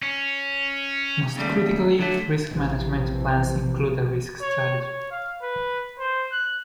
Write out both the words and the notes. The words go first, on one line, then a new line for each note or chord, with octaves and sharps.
Most critically, risk management plans include a risk strategy.
C#4
D#2 C#3 G3 A3
D3 F#3 A3
A#1 C3 E3 F3
C#5
C#5
F5
B4
C5
F#6